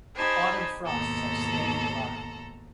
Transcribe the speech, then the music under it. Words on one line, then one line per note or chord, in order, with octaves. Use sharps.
Autumn frosts have slain July.
D#4 G4 C5 G#5 A5 B5
D#2 G#2 B2 A4 A#5